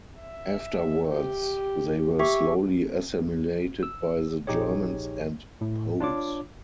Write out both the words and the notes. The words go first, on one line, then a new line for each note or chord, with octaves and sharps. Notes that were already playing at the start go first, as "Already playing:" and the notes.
Afterwards they were slowly assimilated by the Germans and Poles.
E5
G4
G4 E5 C#6
E6
A#1 D#4 G4 G#4 C#5
A2
D4 F4 C#5 D6